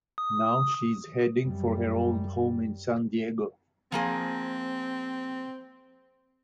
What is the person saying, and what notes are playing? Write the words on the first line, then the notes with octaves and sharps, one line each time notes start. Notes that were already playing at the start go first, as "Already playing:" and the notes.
Now she is heading for her old home in San Diego.
D#6
F#2 G3
F3 A#3 C4 G#4